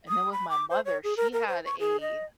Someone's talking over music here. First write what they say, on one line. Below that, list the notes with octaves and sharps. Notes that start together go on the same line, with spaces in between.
and then with my mother, she had a
D#6
B5
D6
C5
C#5
G#4
A#4
A#4
C5
C#6
G#4
D#5